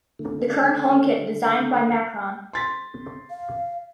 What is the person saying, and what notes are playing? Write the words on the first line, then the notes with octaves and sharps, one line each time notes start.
The current home kit designed by Macron.
D3 A3
C6 A6 B6
F5